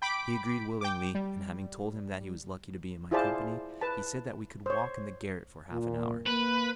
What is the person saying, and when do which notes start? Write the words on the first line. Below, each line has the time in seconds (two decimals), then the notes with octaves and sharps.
He agreed willingly, and having told him that he was lucky to be in my company, he said that we could walk in the garret for half an hour.
0.02 G5 B5 D6 B6 D7
0.81 G5 D6
1.15 G3
3.11 E4 F4 G#4 C5 D5 A5
3.81 B4 A5
4.66 C5 C#5
5.71 A#2
6.26 A#3 B4